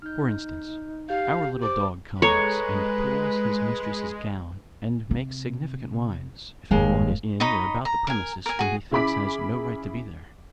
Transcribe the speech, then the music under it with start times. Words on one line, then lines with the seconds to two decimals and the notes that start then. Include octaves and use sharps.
For instance, our little dog comes and pulls his mistress's gown and makes significant whines, if any one is in or about the premises whom he thinks has no right to be there.
0.02 D#4 F6 G6
1.09 G4 F5 G6
1.62 C5 D6
2.22 G#3 A4 B4 C#5 A#5
5.11 C3
6.71 F1 D#2 G#2 G#3 F5
7.40 D#4 C#5 D#5 B5
7.85 A#5
8.07 A#4 G#5
8.46 A#4 G#5
8.59 F#4 G#4
8.91 C#3 E4 G#4 B5 D6 B6